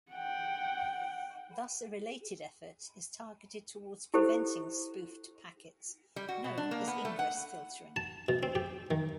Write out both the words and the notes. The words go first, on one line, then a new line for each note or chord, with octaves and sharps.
Thus, a related effort is targeted towards preventing spoofed packets; known as ingress filtering.
F#5 G5
E4 G4 A4 C5
G3
F#4
B2
D4
A#3
B3
A3
F#5
A5
B2
C4
G4
D#3